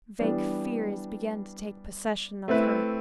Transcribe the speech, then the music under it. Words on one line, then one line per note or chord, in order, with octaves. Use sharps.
Vague fears began to take possession of her.
E3 G3 B3 D4
A3 C4 E4 B4 E5